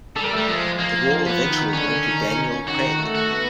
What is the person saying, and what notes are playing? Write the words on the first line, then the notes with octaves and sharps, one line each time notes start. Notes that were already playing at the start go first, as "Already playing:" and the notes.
The role eventually went to Daniel Craig.
G3 A4
A#4
G3 A3 A4
F3 G#3 F4
F3 A#3 F4
F3 F4
B3
D#3 D#4
D3 C#4 D4
D#3 D#4
D#3 D#4
C#4
D#3 D#4 F#4
A3 A4
F#4
B3 B4